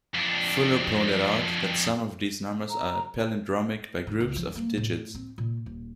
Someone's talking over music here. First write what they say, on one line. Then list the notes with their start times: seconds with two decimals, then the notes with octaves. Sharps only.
Fuller pointed out that some of these numbers are palindromic by groups of digits.
0.14 F2 D4
2.70 A#5
4.07 G#2
4.20 C#2
4.36 F3
4.55 A#3
4.77 A2
5.15 C4
5.38 A#2
5.66 D#1